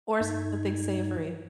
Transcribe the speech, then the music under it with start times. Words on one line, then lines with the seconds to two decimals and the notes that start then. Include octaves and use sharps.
or something savory.
0.20 G2 D#4 G#6